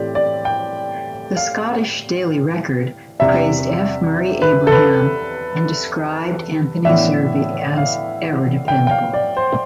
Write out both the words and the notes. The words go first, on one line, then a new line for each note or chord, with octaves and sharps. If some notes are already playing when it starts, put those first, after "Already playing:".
The Scottish "Daily Record" praised F. Murray Abraham and described Anthony Zerbe as "ever-dependable".
Already playing: A2 E3 A3 C4 G4 D5
D5
G5
F5
E2 C3 G3 D4 E5
B4
A4
B4
A2 E3 B3 D4 E5
F5
G5
G5
F5
D5
C5